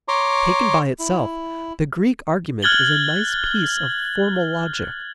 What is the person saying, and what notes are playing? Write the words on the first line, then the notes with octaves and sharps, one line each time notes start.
Taken by itself, the Greek argument is a nice piece of formal logic.
C#5 A#5 C6 D6
E4
F6 F#6 G#6 A6 F#7 G7